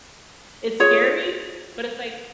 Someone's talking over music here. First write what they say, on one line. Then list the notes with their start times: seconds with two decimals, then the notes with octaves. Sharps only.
it's scary, but it's, like,
0.80 F4 G#4 C#5